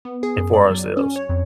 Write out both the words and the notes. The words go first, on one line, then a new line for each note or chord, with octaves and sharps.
and for ourselves.
B3
G#4
F#2
D5
F#3
C#4
C#5
F2